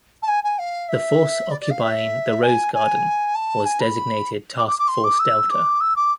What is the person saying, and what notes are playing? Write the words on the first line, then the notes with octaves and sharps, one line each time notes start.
The force occupying "The Rose Garden" was designated Task Force Delta.
A5
G#5
G#5
F5
E5
D5
D5
F5
E5
G#5
G#5
A5
G#5
B5
D6
D6
D6
C6
D6
E6
D6
E6
D6